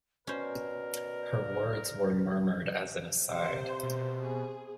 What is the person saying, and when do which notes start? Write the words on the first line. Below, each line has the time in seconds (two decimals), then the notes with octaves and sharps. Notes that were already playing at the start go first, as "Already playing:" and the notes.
Her words were murmured as an aside.
0.27 B2 C#4 A#4 C5 D5
3.30 C3 C5
3.83 B2
4.23 G#4